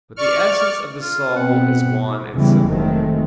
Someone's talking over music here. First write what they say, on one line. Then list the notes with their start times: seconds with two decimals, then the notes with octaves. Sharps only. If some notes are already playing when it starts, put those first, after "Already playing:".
But the essence of the soul is one and simple.
0.16 D5 C#6 F6
1.02 F4
1.36 B2 C4 F#5
2.35 E2 C#3 E3 G3 G#3
2.66 F1 D#3 F#3 G#3 A3 C4